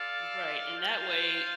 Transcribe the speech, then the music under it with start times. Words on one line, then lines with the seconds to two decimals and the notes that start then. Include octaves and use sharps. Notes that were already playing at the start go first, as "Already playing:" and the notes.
Right, and that way,
Already playing: F4 A4 D5 F5
0.75 F4 C5 F5